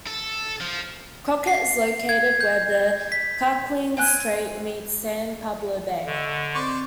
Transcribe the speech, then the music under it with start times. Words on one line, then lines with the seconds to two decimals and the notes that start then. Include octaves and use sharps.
Crockett is located where the Carquinez Strait meets San Pablo Bay.
0.07 A4
0.60 F3
1.47 C7
2.09 G#6
2.41 G6
3.12 B6
3.97 C4 G5 G#5 F#6
6.06 D3 D#5 C#6 E6
6.55 C4 C5 D5 C#6